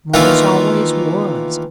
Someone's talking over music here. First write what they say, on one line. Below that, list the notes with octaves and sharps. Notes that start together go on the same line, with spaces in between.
Morris always was.
D#3 E3 A3 A#3 F4